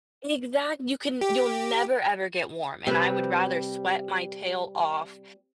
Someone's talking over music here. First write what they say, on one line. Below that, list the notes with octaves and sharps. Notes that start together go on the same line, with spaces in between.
Exact you can you'll never ever get warm. And I would rather sweat my tail off
G4
C3 G3 C4 B4